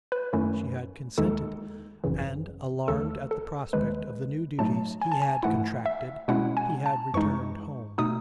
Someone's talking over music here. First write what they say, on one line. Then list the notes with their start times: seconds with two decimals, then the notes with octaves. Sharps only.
She had consented, and, alarmed at the prospect of the new duties he had contracted, he had returned home.
0.12 B4
0.33 F#2 D#3 A3 C#4 E4
1.18 D#2 D#3 G#3 D#4 A4
2.04 G#1 F#2 C#3 E3
2.88 D#2 D#3 A3 A4
3.31 A4
3.73 D#2 D#3 G#3 B4
4.59 A2 F#3 A3 D#4 A5
5.01 G#5
5.12 A5
5.22 G#5
5.43 G#2 E3 A3 E4 F#5
5.86 E5
6.28 B2 G#3 C#4 E4 F#5
6.57 G#5
6.86 A5
7.14 F#2 E3 G#3 D#4 C#6
7.98 B2 A3 D#4 D#6